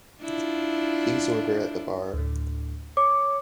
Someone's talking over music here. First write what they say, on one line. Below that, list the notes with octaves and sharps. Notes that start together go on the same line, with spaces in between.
Please order at the bar.
D4 E4 F4
D2 A2
C#5 D6